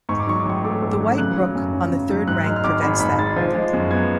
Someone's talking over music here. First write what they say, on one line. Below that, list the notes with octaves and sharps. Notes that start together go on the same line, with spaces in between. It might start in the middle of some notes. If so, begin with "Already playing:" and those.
The white rook on the third rank prevents that.
G#2 C#6
D6
F#3 C#6
D6
A1 C#6
A3 D6
G#2
D6
F#3
C#3 F#6
F#3
F#2
C#4
C#3
F#3
G#2 F#6
G#3 F6
F6
G#1 D6
G#1 B5
G#2 B5
G#3 A6
F3
G#3
F#2
B3 G#6